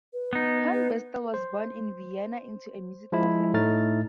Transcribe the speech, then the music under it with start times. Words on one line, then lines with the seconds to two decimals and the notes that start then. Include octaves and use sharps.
Hornbostel was born in Vienna into a musical family.
0.13 B4
0.33 B3 D#4
0.73 B4
1.34 C5
3.12 F3 G#3 E4
3.54 A2 A3 D#4 F6 A6